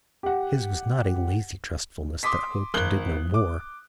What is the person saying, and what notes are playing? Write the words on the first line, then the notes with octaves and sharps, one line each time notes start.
His was not a lazy trustfulness that hoped, and did no more.
G4 F#5
C6 D6 D#6 B6
G#1 F#6 G7
D6